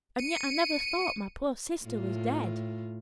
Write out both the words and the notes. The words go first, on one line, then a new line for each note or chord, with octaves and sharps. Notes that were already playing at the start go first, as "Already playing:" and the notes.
And yet I never thought my poor sister was dead.
C#7 D#7
A2 F4